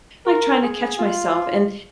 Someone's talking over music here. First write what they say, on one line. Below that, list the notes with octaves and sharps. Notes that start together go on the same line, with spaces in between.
like, trying to catch myself and
A#4
G#4
F4